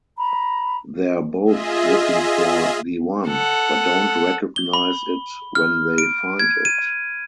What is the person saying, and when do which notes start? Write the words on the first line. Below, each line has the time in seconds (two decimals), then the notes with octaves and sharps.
They're both looking for 'The One', but don't recognize it when they find it.
0.16 A#5 B5
1.45 F4 G#4 D#5 E5
3.27 A4 F#5
4.56 G7
4.73 B5
5.55 F6
5.98 D7
6.39 G#6
6.65 D#7